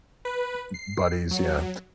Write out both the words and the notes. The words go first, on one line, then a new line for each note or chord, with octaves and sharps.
b b buddies, yeah,
B4
C7
F#3